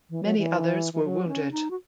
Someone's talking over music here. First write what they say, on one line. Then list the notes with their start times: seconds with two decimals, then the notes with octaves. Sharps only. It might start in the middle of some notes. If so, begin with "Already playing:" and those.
Many others were wounded.
0.10 E3
0.24 F#3
0.38 E3
0.93 E3
1.04 F#3
1.28 C#4
1.51 D#4
1.71 F#4